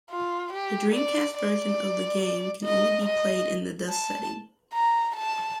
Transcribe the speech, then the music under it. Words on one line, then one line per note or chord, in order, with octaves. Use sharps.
The Dreamcast version of the game can only be played in the dusk setting.
F4
G4
D5
D5
D#5
D#5
A5
A#5
A5